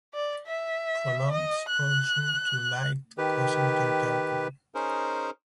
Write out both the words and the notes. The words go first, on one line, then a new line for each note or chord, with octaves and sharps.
Prolonged exposure to light causes their darkening.
D5
E5
D#5
F#6
D#3 G4 B4
C#4 D#4 G#4 A#4 C5